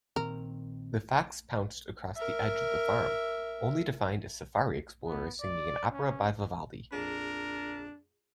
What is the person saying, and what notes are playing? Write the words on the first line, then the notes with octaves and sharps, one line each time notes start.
The fox pounced across the edge of the farm, only to find a safari explorer singing an opera by Vivaldi.
A#2 D#3 C4 A#4
A#4 E5
B3
D5
C#4
A#1 F2 D4 G#4 A#4